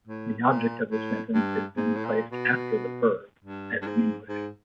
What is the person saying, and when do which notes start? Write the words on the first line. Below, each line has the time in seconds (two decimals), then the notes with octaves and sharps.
The object of the sentence is then placed after the verb, as in English.
0.07 A2
0.50 A#2
0.91 A2
1.34 G2
1.76 G#2
1.95 A2
2.05 A#2
2.32 B2
3.44 G2
3.81 G2
3.87 G#2
4.29 G#2